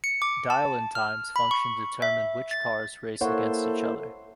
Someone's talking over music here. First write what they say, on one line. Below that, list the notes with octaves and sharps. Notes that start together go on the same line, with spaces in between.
Dial-in times function to determine which cars race against each other.
C#7
D6
A5
F6
B5
C#6
E5
A6
A#3 E4 A4 C5 C#5 F#5